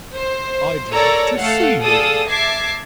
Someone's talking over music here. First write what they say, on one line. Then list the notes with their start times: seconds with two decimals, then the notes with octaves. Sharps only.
"I'd like to see him."
0.15 C5
0.92 A4 A#4 C#5 D5 A#5
1.38 A3 A4 F5 F#5
1.81 G#4 A4 D5 F5 D#6 E6
2.27 E5 A5 D6 G#6 C7